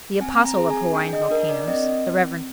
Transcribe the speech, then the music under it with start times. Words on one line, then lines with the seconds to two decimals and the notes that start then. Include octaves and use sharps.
The Apostle of Hawaiian volcanoes, the Rev.
0.21 C4 G#5
0.45 A#5
0.57 G#4
0.70 G#5
0.94 D4 G5
1.13 D#5
1.31 D4 A#4
1.49 D5
1.68 C4 D#5